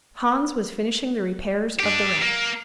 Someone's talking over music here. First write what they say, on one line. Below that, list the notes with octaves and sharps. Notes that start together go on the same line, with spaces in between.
Hans was finishing the repairs of the raft.
D4 G4
A#3